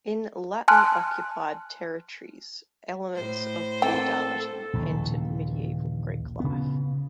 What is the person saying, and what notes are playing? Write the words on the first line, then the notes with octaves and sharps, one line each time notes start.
In Latin-occupied territories, elements of feudality entered medieval Greek life.
G#5 A5 C6 F6 F#6
A2 C5
A3 A#3 C4 A4 G5
A#1 D#2 C#3 E3
C#3 B3